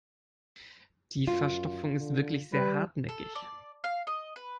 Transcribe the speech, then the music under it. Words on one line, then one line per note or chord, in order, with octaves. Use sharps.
Die Verstopfung ist wirklich sehr hartnäckig.
F#2 F4
D3
G3 B4
A4
D5
F5
D#5
B4